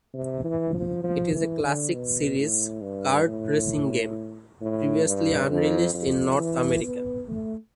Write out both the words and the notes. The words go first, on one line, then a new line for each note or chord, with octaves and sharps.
It is a classic series kart-racing game previously unreleased in North America.
C3
E3
F3
F3
E3
D3
B2
A2
G2
A2
A2
G2
F2
F2
E3
B3
A3